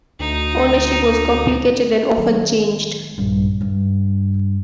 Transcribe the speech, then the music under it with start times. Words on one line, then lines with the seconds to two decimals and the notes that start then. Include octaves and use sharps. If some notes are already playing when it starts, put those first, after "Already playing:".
Ownership was complicated and often changed.
0.19 D2 D#4
2.17 D#3 F#3
3.18 A#1 G2
3.61 G2